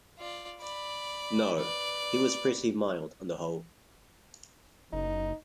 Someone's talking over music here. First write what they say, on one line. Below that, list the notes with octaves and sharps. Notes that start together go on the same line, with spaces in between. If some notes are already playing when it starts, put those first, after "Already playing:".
No; he was pretty mild, on the whole.
F4 D5
D5 B5
B4 D5
F#1 D#4